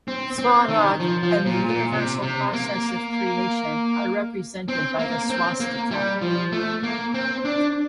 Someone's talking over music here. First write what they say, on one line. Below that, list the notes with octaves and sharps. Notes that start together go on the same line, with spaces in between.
Svarog and the universal process of creation are represented by the "swastika".
C4
C4
D#3
F3
F3
A#2
A#2
C3
C3
A#3
C4
A#3
C4
A#3
G3
F3
A3
A#3
C4
D4